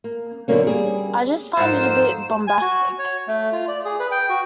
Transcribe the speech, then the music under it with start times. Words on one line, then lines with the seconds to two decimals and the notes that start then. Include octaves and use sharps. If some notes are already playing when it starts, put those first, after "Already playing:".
I just find it a bit bombastic.
0.04 A#3
0.48 B2 D3 F#3 A#3 C#4
0.67 G3 G#4
1.57 F2 G#2 F3 F4 A#4 C5 F#5 E6
2.47 G#5
2.62 F#4
2.99 C#5
3.28 A3
3.53 F4
3.68 D5
3.85 G#4
4.00 B4
4.12 G5
4.29 F#4